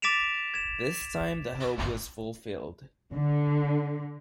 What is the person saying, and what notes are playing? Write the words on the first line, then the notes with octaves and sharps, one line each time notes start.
This time the hope was fulfilled.
D6 A6 B6 D7 E7 F7
G#6 E7
D3